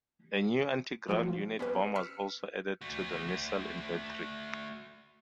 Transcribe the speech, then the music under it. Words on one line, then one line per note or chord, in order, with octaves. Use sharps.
A new anti-ground unit bomb was also added to the missile inventory.
B2 F3 G3 F4 F#4
B3 C#4 G4 B4
E6 F6 B6 C#7
A3 F#4